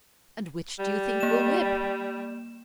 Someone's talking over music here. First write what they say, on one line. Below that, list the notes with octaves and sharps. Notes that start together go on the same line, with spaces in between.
"And which do you think will whip?"
G3
A#3 E7